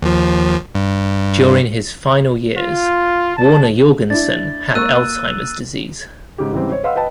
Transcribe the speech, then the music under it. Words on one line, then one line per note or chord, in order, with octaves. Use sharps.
During his final years, Warner Jorgenson had Alzheimer's disease.
D#2 F3
G2
F4
A5
D4 E4 A6
A#3 C#6 E6 F#6 D#7
G#2 C#3 G4
G#2 C#3 E3 G3 C4
C5 C#5
B4 D#5 F5 F#5 C6 E6
B4 D#5 G5 A5